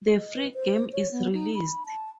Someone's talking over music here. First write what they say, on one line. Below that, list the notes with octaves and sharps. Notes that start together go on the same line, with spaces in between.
The free game is released.
D#5
B4
C5
C#5
B3
D#4
B5
A5